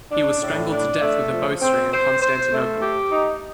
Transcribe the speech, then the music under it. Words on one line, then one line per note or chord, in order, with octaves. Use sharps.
He was strangled to death with a bowstring in Constantinople.
D4
A2
D4
A3
F3
C4
C5
C5
A3
G4
D#4